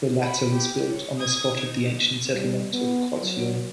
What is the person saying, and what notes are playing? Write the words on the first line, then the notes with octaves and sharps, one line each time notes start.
The latter was built on the spot of the ancient settlement of Kotyol.
F#4 B5
G4
C#5
D#6 G#6
D#4
G3
B3
F#3